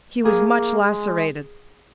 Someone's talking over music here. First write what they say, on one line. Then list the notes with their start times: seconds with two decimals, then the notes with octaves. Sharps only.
He was much lacerated.
0.25 A#3 G#4
0.56 A#3
0.86 G#3